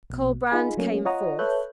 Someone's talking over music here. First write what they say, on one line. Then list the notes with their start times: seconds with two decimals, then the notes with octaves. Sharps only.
Colbrand came forth.
0.10 A#1 B2
0.50 D#4 F4 G#4 G#5 B5
0.77 F#3 A3 A#3 C#4
1.05 F4 C#5 D#5 F#5 A#5 D#6
1.39 A4 B4 C#5 E5 F#6 G6